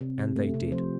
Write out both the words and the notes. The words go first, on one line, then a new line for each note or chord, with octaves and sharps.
And they did.
C3
C3
A3
C3
F3 C5